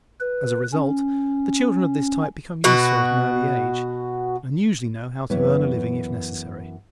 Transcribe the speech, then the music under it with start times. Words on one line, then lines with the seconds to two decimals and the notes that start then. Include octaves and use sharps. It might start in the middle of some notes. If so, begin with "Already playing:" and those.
As a result, the children of this type become useful at an early age and usually know how to earn a living if necessary.
0.20 B4
0.73 C#4
2.64 B2 F#4
5.30 F#2 E3 B3 E4 B4 C#5